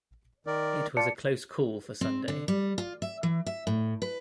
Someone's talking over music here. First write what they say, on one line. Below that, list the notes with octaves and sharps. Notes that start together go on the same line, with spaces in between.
It was a close call for Sunday.
D#3 A#4 D5
F4 D5 A5 C#7
C4
D3
G3
F4
E5
E3
E5
A2
B4